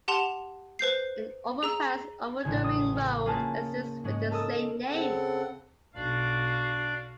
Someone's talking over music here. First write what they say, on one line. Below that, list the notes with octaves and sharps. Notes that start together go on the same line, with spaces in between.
An overpass over the ring road exists with the same name.
G4 F#5 A5 C6 E7 F7
B4 C5 G6 C7
G#4 A#5 E6
A1 C#3 G#6
D#6
C#3
A#3 C#4 F4 G#4 B4 A5
G#2 G#3 C#4
A4 A#4 D#5 D#6 E6
C#3 C4 A4 F#5
B1 D4 F#4 D5 F5